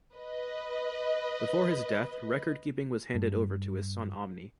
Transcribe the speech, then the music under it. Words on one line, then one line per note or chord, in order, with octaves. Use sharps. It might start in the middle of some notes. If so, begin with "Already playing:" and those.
Before his death, record keeping was handed over to his son Omni.
B4 D#5
G2